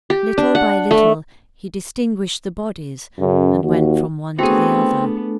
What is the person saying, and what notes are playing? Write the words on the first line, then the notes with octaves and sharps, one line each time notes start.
Little by little he distinguished the bodies, and went from one to the other.
G4
D4
F#5
A3
F#2 C#3
D#2 F#4
A3 B3 C4 D4 F#4 G#4 A4